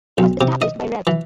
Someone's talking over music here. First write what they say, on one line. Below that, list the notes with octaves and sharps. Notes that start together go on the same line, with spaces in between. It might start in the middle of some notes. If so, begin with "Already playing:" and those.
It was established by Revd.
B1
C3
D#5
E3